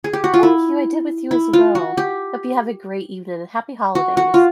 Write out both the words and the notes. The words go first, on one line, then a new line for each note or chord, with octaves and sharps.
Thank you, I did with you, as well. Hope you have a great evening, and happy holidays.
G#4
G4
F#4
F4
E4
E4
F4
F#4
G4
F#4
F#4
F4